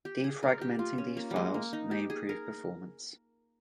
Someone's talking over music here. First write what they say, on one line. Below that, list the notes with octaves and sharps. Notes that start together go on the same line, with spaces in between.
Defragmenting these files may improve performance.
G4
G#4
A#4
G4
F4
C#4
A#3
G3 G#3
A#3
D#4
G4
G#4
A#4